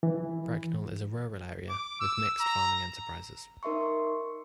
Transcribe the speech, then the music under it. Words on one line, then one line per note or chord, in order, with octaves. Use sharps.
Bracknell is a rural area with mixed farming enterprises.
E3
D6
E6
A#5
D#4 A#4 E5 C6 C#6